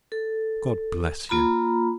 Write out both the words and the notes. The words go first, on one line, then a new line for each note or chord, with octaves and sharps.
God bless you!
A4
A#3 F4 A#5 B5